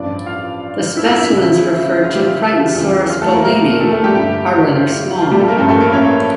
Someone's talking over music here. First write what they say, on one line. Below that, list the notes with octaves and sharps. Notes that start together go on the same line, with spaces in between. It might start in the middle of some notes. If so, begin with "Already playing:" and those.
The specimens referred to "Crichtonsaurus bohlini" are rather small.
Already playing: A1 G2 F3 D4 D5
F4 F5
E4 E5
E4 E5
E4 E5
C#2 C#3 E3
F4 F5
G3 G4
F4
E4
E2 C#3 E3
F4
A3 A4
A#3 A#4
A#3 A#4
A3 A4
A3 A4
G3 G4
G2 D3 A3
F4
E4
F4
F4
F4
G3 G4
A3 A4
A#3 A#4
A1 G2 F3 A3 C#4 A4
A3 A4
A#3 A#4
C#4 C#5